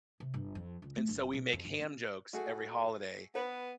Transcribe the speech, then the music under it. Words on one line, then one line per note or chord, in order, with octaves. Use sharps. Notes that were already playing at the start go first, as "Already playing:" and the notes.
and so, we make ham jokes every holiday,
C3
G1
F2
C#2
A3
G1
B2
F2
G1
C#4
A3 F#4 G#4
B3 B4